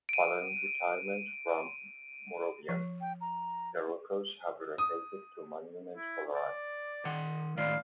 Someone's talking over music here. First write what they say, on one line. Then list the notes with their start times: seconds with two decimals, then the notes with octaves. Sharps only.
Following retirement from Moravian, the Rokkes have relocated to Monument, Colorado.
0.09 D7 D#7
2.69 F3
3.01 G5
3.21 A#5
4.78 D#6
5.96 E4
6.35 D5
7.05 D#3 F#5
7.58 A2 D#3 D5 F5